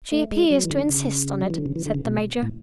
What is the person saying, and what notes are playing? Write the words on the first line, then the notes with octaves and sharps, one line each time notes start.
"She appears to insist on it," said the Major.
A3
G#3
F#3
E3
D3
C#3
F#3
E3
D3
C#3
E3
D3
C#3
B2
A2